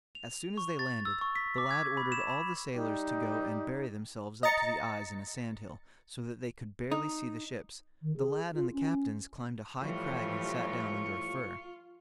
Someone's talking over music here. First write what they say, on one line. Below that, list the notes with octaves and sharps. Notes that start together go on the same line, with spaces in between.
As soon as they landed, the lad ordered all the sailors to go and bury themselves up to the eyes in a sandhill, so that they could barely see the ships. The lad and the captains climbed a high crag and sate down under a fir.
F7
C#6
A6
E6
C#6
B6
D6
G#6
B5
E7
B5
G3 D#4
D#5 A#5 A6 C#7
D#4
D#3
G#4
F4
C#4
A2 E3 F3 G3 F4 C#6